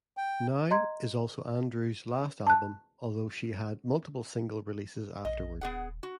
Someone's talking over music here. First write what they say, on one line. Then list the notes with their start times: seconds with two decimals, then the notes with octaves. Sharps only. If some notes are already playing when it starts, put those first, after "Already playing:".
"Now" is also Andrews' last album, although she had multiple single releases afterward.
0.17 G5
0.70 D#5 A#5 C6 G#6
2.47 A5 F#6
5.25 A#1 D#5
5.61 D#1 B3 G#4 F#5
6.03 F#4